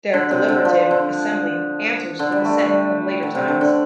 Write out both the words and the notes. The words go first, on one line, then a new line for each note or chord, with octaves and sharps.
Their deliberative assembly answers to the senate of later times.
D3
C3
D3
F3
D3
D3
G3
A3
G3
D3
C3
D3
D3